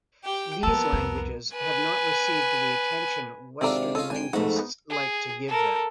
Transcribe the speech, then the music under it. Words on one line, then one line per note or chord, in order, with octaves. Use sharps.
These languages have not received the attention Western linguists like to give them.
G4 G5
F3 A#3 B3 A4 A#4
C2 F2
B4 G#5
G#1 C3 C4 D4 F4 A4 A#5
C#4 F4 A4 D#5
G#1 D4 G5 G#5
F2 G#2 A3 F#4 D#5 F#5
B3 D#4
G#4
A4 A#4